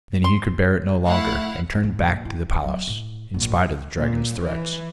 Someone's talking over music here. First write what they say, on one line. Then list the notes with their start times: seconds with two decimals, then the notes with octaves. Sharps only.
Then he could bear it no longer and turned back to the palace, in spite of the dragon's threats.
0.24 C6
1.04 A3 E4 F5 F#5
1.84 G#2
2.09 A#1 G2
2.25 E4
2.64 F#3 G3
2.87 A2
3.34 A#1 G#2
3.99 A#2
4.40 E3